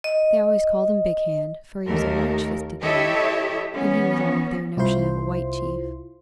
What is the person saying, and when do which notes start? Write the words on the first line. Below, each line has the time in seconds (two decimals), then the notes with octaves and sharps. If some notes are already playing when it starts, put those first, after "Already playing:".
They always called him Big Hand, for he was a large-fisted man, and he was all of their notion of a white chief.
0.04 D#5
1.87 D#2 A3 A#4
2.82 E4 G4 A4 C#5 D#5 E5
3.74 E3 B3 C#4
4.77 C2 E4 F4 C5 C6